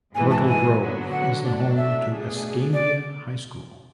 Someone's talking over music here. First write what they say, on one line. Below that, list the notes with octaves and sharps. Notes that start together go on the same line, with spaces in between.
Myrtle Grove is the home to Escambia High School.
G#2 E3 G#3 B3 G#5
A5
G#5
D3 F#3 B3 F#4
F#5
A2 F#3 A3 D4
E5
B2 A3 D4 G#4
D5